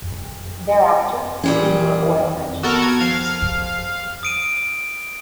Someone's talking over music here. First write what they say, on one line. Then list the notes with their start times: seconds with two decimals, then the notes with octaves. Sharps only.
Thereafter steam or oil engines were used.
1.43 A#2 E3 G3 C#4 G#4
2.35 F2
2.63 B3 F#4 A4 A#4
2.82 G#6
3.00 F3 F5
4.23 D#6 D7 D#7